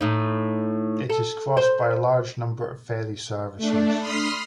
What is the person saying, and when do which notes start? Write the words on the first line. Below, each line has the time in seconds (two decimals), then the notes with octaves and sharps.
It is crossed by a large number of ferry services.
0.01 A2 D#4
1.10 A4
1.57 C5
3.57 A3 D4
3.99 B5 C6 D#6 F6 C7